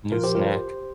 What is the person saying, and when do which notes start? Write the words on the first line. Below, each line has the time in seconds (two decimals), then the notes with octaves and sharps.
New snack.
0.12 A#2 F3 F4 A#4
0.23 G4 C5
0.35 F4 A#4
0.46 G4 C5